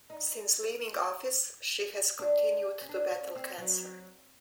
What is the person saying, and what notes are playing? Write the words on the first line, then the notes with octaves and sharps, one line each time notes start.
Since leaving office, she has continued to battle cancer.
D#4
D4
C#4
D4
C#4
C4
F#3